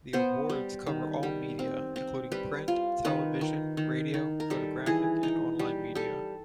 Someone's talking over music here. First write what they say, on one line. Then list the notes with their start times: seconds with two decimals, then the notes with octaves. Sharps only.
The awards cover all media including print, television, radio, photographic and online media.
0.13 B3 C5
0.50 G3
0.86 D#3
1.23 G3
1.59 C4
1.96 C4
2.32 G3 B4
2.68 F4
3.05 D#3 B4
3.41 D#3
3.77 D#3
4.14 D#3
4.40 A#4
4.50 G3 A4
4.86 E3 G#4
5.23 D#4
5.59 G3
5.95 G3 A4